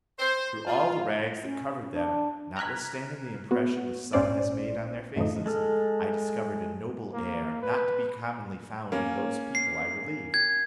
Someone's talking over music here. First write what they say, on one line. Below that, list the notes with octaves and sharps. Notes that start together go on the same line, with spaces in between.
Through all the rags that covered them, notwithstanding the impression the sun has made on their faces, I discovered a noble air, not to be commonly found in those people I relieve.
C5
F4
C#4
D4
A#5 F6 F#6 G#6 B6
B3 F#4
A#1 G#2 C#4 C5 D5
F#2 A2 D3 F3 D#4
G#3 A4 F6
A#3
B4
A#3 C#4
C7
G#6